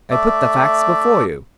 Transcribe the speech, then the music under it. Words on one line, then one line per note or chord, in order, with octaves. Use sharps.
I put the facts before you.
A3 D5 E5